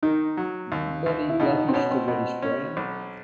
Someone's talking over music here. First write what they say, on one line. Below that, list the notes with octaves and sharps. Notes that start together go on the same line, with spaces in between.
Body blackish to reddish brown.
D#3 D#4
F#3
D#2
D#2
E4
B2 D#4
D#4
C4
B2 C#4
C4
B2
C#4
B1